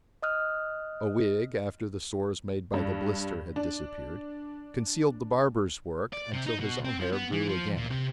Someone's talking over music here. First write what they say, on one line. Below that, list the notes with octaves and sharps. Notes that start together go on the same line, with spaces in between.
A wig, after the sores made by the blister had disappeared, concealed the barber's work until his own hair grew again.
D#5 D#6 F6 F#6
G2
D4
D5
C3
D#4
B2
C4
F3
B3
E3
F3
A#2
C3